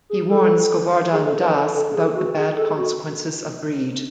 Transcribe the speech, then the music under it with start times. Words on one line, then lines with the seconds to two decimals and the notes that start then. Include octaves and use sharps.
He warns Govardhan Das about the bad consequences of greed.
0.10 G#4
0.30 A4
1.12 G#4
1.26 A4
1.39 B4
1.53 A4
1.74 A4
1.94 G#4
2.15 F#4
2.36 G#4
2.56 A4
2.76 F#4